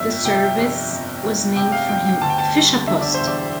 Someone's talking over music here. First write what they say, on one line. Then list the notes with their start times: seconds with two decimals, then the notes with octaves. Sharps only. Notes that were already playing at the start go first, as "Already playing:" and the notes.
The service was named for him "Fischerpost".
Already playing: G1 F2 E5
0.25 C3 G5
0.58 G1
0.90 F2
1.24 G1
1.56 C3 G5
1.72 F5
1.89 G1 G5
2.06 G5
2.21 D2 A5
2.30 G5
2.38 A5
2.55 G3
2.87 D3 E5
3.01 D5
3.14 C5
3.20 E1
3.27 D5